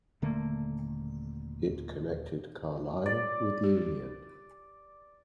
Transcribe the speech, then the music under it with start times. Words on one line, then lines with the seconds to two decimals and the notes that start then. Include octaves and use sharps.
It connected Carlisle with Union.
0.22 D#1 D3 A3 A#3
3.06 D5
3.64 G4